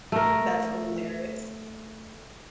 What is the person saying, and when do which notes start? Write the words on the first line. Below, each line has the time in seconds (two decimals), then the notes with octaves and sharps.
That's hilarious.
0.12 A3 A#4